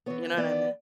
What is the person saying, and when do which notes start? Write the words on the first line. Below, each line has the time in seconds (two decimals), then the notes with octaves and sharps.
You know what I me
0.06 E3 B3 C#5
0.37 E3 B3 D5